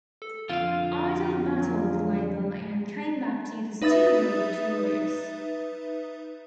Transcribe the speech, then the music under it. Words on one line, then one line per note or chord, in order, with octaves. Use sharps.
Idol battled the label, and came back to the studio victorious.
A4
F2 D3 F4 F5 C6
F#3
D#4 B4 E5 D#6 A6